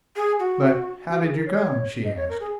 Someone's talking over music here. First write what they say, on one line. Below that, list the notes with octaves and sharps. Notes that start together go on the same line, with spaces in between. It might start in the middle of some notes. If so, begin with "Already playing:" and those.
"But how did you come?" she asked.
G#4
F#4
F#4
G#4
A#4
C#5
D#5
C#5
A#4
G#4